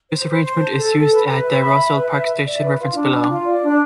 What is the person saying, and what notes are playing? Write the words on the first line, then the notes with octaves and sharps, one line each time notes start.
This arrangement is used at the Roselle Park Station referenced below.
C5
C5
C5
A5
A4
A4
B4
B4
E5
B5
E5
B4
E5
E5
D5
B4
F4
D4
D4
F4
D5
D4